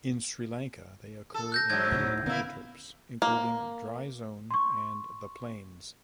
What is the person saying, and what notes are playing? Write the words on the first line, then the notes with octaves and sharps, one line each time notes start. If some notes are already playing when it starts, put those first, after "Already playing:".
In Sri Lanka, they occur in many biotopes including dry zone and the plains.
A4
F#6 G6 A#6
G#2 D3 F#3 G#6
D2 A2
D3 A#3 B3 C#4 E4
A#3
C6 C#6